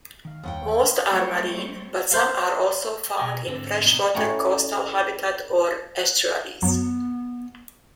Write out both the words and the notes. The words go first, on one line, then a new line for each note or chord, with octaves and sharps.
Most are marine, but some are also found in freshwater coastal habitat or estuaries.
D#3 F5
D#2 F#5 G5
F#3 G3 A3 C4 C#5
C5 F5
B2 A#4 G#5
G#2 D3 C4
B1 B3 C#4 D4 G4 A#4
A2 C#4 F#4 F#5 G5 A#5
F#6
F#2 F#3 B3